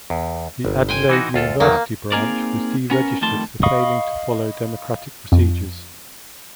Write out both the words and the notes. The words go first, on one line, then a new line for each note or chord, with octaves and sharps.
The Adelaide University branch was deregistered for failing to follow democratic procedures.
E2
G1
C5 G5 G#5
E3 D#4 F#4
D2 F4 A4
E2 D#3 F#3 A#3
A#3 C4 D#4 G#4 A#4 D5
B3 C#4 A#4
F2 D#3 G3 A3 A5 C6
D#5 F5 B5 C#6 D#6
F2